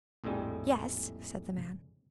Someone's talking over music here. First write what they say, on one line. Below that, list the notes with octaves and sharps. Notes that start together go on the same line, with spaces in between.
"Yes," said the man.
A#1 F2 A2 G3 G#3